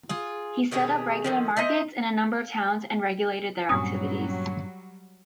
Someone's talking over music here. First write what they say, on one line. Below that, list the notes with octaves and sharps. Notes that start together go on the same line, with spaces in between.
He set up regular markets in a number of towns and regulated their activities.
F4 G#4
B2 D#3 G4 G#4
D3 D#3 F3
D#4 E4 C5 D#5
G2 A#2 F#3 G3 C4 C#4 D#6